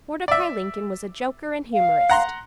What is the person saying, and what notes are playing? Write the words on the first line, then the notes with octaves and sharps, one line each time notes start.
Mordecai Lincoln was a joker and humorist.
D5 E5
F5
F#5 A#5 C6